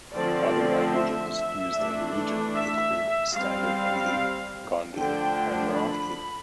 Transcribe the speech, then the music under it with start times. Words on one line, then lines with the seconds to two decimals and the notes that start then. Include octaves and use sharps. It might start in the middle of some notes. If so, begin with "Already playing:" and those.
Other languages used in the region include Standard Hindi, Gondi, and Marathi.
0.14 D3 F3 A3 C4 D5
0.94 E5
1.74 E3 A3 D4
2.54 E5
3.34 G3 C4 F5
4.95 D3 F3 A3 D4 G5
5.75 B5